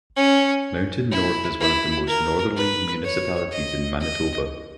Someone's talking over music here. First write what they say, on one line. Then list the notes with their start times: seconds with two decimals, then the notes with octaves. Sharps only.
Mountain North is one of the most northerly municipalities in Manitoba.
0.16 C#4
1.11 E4
1.60 E4
2.07 A#4
2.56 B4
3.04 C#5
3.52 D#5
4.01 D#5